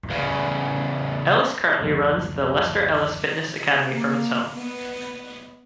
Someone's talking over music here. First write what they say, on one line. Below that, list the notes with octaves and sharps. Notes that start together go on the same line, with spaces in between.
Ellis currently runs the Lester Ellis Fitness Academy from his home.
E2 C#3
F#1 D2 B2 F3
A#3
B3